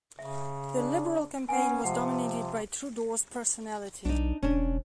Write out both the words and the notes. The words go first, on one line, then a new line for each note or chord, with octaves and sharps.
The Liberal campaign was dominated by Trudeau's personality.
C#3 E5
D4
B3 C#4 F#5 G#5
C3 F3 F#5
B1 D4 D#4
E1 C#4 D4